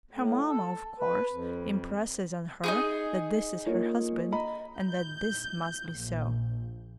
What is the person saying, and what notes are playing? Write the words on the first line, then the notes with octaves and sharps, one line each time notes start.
Her mamma of course impresses on her that this is her husband and that this must be so.
A2
A4
B4
F2
D#4 F#4 G#4
A#3 F4 C#5
D#5 A#5 B5
G6
A#1